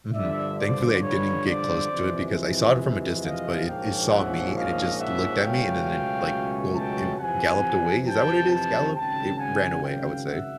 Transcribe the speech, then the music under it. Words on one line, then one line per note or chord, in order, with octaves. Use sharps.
Mhm. Thankfully, I didn't get close to it because I saw it from a distance, but it it saw me and it just looked at me and then it, like, bo it galloped away. Is that what it is? Galloped? It ran away, I would say.
G2 D3 F3 D5 E5
C5 D5
B4 C#5
C5 D5
F2 C3 E3 G#3
D#5 F5
A#1 G#2 F3 A#3 C#4 F5 G5
E5 F#5
D#5 F5
E5 F#5
C#2 B2 F#3 A3 C#4 F5 G5
G5 A5
F2 C3 E3 F#5 G#5
G5 A5
G5 A5
G#1 F#2 C#3 G5 A5
F#5 G#5
F5 G5
E5 F#5